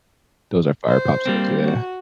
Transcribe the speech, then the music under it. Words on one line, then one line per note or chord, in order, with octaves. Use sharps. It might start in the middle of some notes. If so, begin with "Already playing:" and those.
Those are fire popsicles, yeah.
C5
G3 A#3 C4
F#4